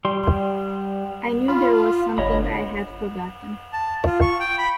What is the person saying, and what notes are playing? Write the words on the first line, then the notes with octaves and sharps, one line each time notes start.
I knew there was something I had forgotten.
G3 C6
F4 B5
G1 C#5 D#5 B5
A5
F4
C#6
G5
B5